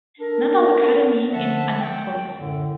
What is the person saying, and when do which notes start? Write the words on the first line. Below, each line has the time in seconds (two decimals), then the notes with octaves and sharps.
Naval Academy in Annapolis.
0.20 D4 A4 A#4
1.32 D3 F3 E5 F#5 A5
1.80 G5
2.37 F#2 A2 D3